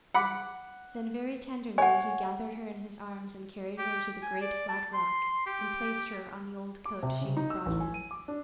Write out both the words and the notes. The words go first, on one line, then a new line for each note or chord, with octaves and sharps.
Then very tenderly he gathered her in his arms and carried her to the great flat rock and placed her on the old coat she had brought him.
F#5 B5 D6
C#5 F#5 G#5
G4
G#5
D5
A5
C6
G4
D6
C3
C#3
D#4
E6
A1
G#5
D#7
D6
D4